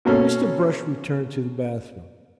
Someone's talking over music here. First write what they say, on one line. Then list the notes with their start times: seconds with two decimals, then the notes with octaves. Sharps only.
Mr. Brush returned to the bathroom.
0.05 B2 A#3 C#4 A4